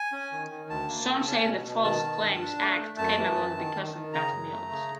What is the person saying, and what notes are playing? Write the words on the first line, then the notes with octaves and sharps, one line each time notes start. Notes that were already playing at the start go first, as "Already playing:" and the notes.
Some say the False Claims Act came about because of bad mules.
Already playing: G#5
C#4
D#3
D#3
D2 A5
A#3
C#3
C#4
B2
B2
D#3 A5
D#3
G2
D4
A3
A3
F#2 A5
E3
F#2
D#3
D#3
D#3
C#3 A#5
F#2
A3
C#3